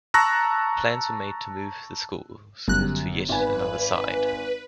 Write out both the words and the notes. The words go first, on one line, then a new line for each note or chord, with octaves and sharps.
Plans were made to move the school to yet another site.
A5 A#5 C#6 E6 F#6 A#6
G1 F#2 F#6
G#1 B4 G#5